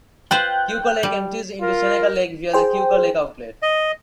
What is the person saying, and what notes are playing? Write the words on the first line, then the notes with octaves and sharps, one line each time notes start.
Keuka Lake empties into Seneca Lake via the Keuka Lake Outlet.
F4 B4 C5 G5 F#6 G6
G3
F4 A#4
G#4 C5 G5
D#5